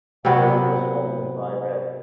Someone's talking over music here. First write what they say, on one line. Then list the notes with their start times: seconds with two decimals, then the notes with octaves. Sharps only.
Aaron was owned by Rev.
0.25 C3 F#3 B3